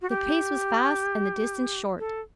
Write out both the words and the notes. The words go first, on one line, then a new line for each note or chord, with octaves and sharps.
The pace was fast and the distance short.
F#4
G4
A4